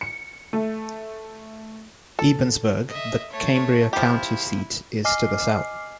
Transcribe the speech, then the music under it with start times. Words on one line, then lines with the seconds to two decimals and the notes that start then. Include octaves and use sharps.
Ebensburg, the Cambria County seat, is to the south.
0.01 C#7
0.53 A3
2.19 A4
2.88 D#5 E5
3.30 A3 C#5
3.93 F3 E4 G4
5.05 D#5 G#5 D6 F6 C7